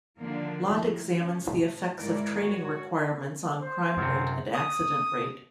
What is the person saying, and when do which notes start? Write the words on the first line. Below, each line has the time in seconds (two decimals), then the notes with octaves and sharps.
Lott examines the effects of training requirements on crime rate and accident rate.
0.19 D3 D#3 F3 A#3 D4
0.66 A2 D#3 F3
1.10 C#4
1.39 A2
1.99 G#2 D#3 E4 A#4 D5
2.39 F#4 C#5
3.61 C5
3.97 F#2 C3
4.54 D#6